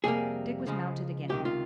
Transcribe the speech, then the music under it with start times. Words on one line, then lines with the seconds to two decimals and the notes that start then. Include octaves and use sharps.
Dick was mounted again.
0.04 F2 C3 G3 A#3 G#4
0.67 C#2 C#3 F3 G#3
1.29 C#2 C3 D#3 G4
1.45 F4